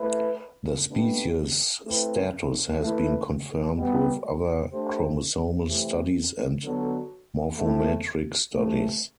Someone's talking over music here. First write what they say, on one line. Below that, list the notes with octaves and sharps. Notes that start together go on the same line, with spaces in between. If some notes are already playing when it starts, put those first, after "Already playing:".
The species status has been confirmed with other chromosomal studies and morphometric studies.
Already playing: A3 E4 B4
B2 A3 D4 G4 B4
A3 C4 E4 B4
A3 E4 B4
B2 G3 B3
A3 D4 G4 C5
C3 E3 A3 C4
D3 F#3 B3 F#4 A4
A3 C4 E4
C3 E3 A3